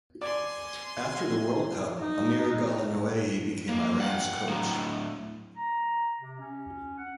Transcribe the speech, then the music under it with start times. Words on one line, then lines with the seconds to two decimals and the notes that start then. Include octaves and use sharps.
After the World Cup, Amir Ghalenoei became Iran's coach.
0.21 D5 G#5 C6
1.99 D#4
3.69 A#3
4.00 F5 F#5
4.49 A2 F#3
5.56 A#5
6.19 C3
6.39 C#4
6.97 F#5